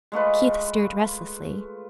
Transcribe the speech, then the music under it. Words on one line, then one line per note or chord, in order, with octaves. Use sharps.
Keith stirred restlessly.
G#3 A3 F4 B4